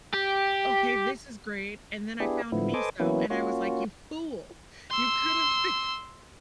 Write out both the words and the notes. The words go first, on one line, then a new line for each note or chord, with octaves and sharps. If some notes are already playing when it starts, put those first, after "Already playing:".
"Ok, this is great." And then I found miso and I was like, "You fool, you could have been
G4
B3 D4 E4 G4 G#4
A2 D3 F3 B3 E4
A4 B4 C5 D#5 G#5 D6
E3 F#3 A#3 B3 C#4 E4
A#3 C#4 F4 F#4
C6 E6